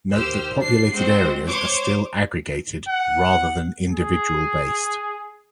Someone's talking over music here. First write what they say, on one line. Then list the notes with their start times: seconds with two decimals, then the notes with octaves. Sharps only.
Note that populated areas are still aggregated rather than individual based.
0.13 D#2 G4 C5 E6 F6
0.59 D4 C7
0.92 G#3 C4 F#4 C5
1.47 C5 C#5 C6 D6 G#6
2.88 F#5
3.92 G#4